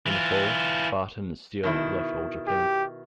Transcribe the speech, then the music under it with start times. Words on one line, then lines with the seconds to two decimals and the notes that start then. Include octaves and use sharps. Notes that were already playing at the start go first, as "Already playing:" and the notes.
In the fall, Barton and Steele left All Japan.
0.06 E3 F4
1.63 B2 D#3 E4
2.48 G4